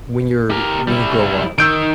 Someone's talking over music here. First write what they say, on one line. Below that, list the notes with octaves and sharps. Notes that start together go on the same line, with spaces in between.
when you're when you grow up,
G4 A#4
G3 E4
D#3 E6 G6 D7